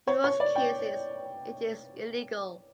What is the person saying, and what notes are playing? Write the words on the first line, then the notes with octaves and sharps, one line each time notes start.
In most cases, it is illegal.
C#5
C#5
D5
G5